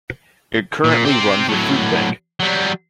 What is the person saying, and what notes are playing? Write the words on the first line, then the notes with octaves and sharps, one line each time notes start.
It currently runs a Food Bank.
A#2
C4 G4
A2 F#3
F#3 G3